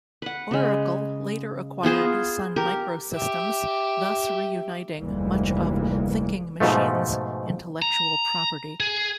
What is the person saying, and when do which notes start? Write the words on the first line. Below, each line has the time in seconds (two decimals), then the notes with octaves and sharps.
Oracle later acquired Sun Microsystems, thus re-uniting much of Thinking Machines' intellectual property.
0.22 B4 F#5
0.51 C#3 G#3
1.83 B3 F4 G#4 C5
2.56 G4 A#4
3.13 G4 E5
4.99 F1 D2 E3 G3 G#3 A#3
6.60 G#2 B2 F3 A3
7.82 A#5
8.80 G#4